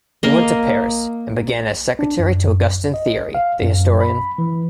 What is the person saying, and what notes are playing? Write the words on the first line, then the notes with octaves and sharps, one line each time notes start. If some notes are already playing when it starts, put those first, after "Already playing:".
He went to Paris and began as secretary to Augustin Thierry, the historian.
A#3 D#5
D4
F#2
D#5
F5
F#2
B5
E3